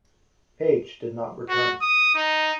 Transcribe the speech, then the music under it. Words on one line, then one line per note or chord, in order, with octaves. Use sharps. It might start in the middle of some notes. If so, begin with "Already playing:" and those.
Page did not return.
F#4
D#6
D#4